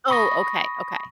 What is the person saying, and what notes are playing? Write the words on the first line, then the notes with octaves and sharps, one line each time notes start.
Oh, okay, okay,
B5 C#6 D#6 A#6